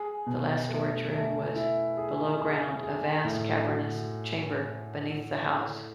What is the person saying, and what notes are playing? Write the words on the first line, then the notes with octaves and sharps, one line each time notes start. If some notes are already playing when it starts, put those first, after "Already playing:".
The last storage room was below ground, a vast, cavernous chamber beneath the house.
Already playing: G#4
B2
A3
A3
E4
G#4
G#4
G#4
A2
F#4